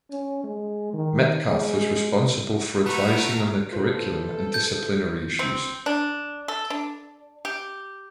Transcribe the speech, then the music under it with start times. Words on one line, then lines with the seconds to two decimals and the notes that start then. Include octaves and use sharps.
Metcalfe was responsible for advising on the curriculum and disciplinary issues.
0.11 C#4
0.44 G#3
0.94 D#3
1.48 G#3
2.86 F#3 A3 F#4 A#4 B4 A#5
3.72 F4 A4 B4 C5
4.54 G6
5.39 C4
5.86 D4
6.48 A4
6.70 D4
7.45 G4